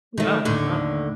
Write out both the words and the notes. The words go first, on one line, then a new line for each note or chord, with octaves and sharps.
Wow, wow.
D#3 A3
D#2 A2 D3